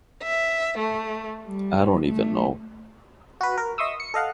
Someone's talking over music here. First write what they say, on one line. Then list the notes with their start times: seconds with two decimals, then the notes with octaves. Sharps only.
I don't even know.
0.22 E5
0.78 A3
1.45 G3
2.08 A3
3.41 F#4 B4
3.58 A#4
3.78 D#5 E5 C6 C#6 D#6 E6
4.00 C#7
4.14 A4 D#5 F5 F#5